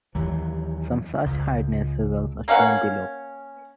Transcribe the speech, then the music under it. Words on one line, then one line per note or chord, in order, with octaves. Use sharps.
Some such hardness results are shown below.
D#2 E3 F#3
C#2
A#3 C#4 F5 F#5